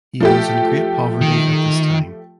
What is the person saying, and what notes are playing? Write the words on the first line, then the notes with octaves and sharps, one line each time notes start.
He was in great poverty at this time.
F3 A3 G4
D#3